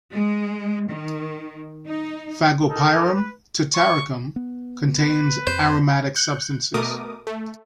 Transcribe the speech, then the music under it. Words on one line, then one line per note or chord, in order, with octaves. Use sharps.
"Fagopyrum tataricum" contains aromatic substances.
G#3
D#3
D#4
D#4 A4 A#4
B4
C#6
B3
B4
F2 C5
F#6 G6 C#7
B2 A3 A#4 D6 D#6
A3